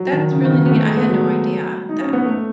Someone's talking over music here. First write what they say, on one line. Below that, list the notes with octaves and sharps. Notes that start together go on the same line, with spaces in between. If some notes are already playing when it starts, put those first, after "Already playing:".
That's really neat, I had no idea that
Already playing: F#3
D#3
C#3
D#3
F#3
B3
A3
G#3
B3
F#3
D#4
C#4
B3
A3